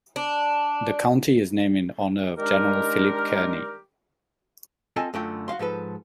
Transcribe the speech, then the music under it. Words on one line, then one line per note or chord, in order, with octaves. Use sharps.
The county is named in honor of General Philip Kearny.
D4
D#3 G3 G#3 D4 G4 A#4
C4 F4 A4 D#5 G#5 A5
F#2 D3 A3 F4 G5
F#4 D#5 F5 C6
G#2 F3 A4 B4